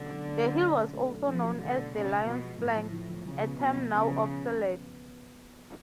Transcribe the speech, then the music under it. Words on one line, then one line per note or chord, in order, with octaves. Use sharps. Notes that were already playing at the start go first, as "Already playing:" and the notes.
The hill was also known as "The Lion's Flank", a term now obsolete.
Already playing: B2 D3 F#3 A3 C#4
F#3
A3
F#3
A3
C#4
A3
F#3
F3 C#4
F#3
D3 A3
B2
C#3 B3
B3
B2 F3
G#3
A2 F3
F3
F3
F3
C#3 F3
B3
B2 G#3
F3
C#3 B3
F3